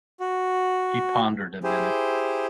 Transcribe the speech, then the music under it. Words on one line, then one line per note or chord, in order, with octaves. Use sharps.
He pondered a minute.
F#4
E4 G4 G#4 C5